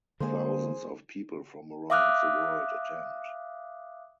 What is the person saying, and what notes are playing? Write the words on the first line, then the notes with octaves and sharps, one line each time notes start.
Thousands of people from around the world attend.
D3 G#3 A#3 G#4 C5
E5 F5 D6 D#6 F6 F#6